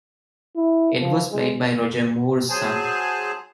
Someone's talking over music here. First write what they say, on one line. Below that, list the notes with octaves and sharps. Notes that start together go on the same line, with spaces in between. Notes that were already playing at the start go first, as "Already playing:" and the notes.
Ed was played by Roger Moore's son.
E4
F3
G#3
F#3 G#4 C5 G#5 A5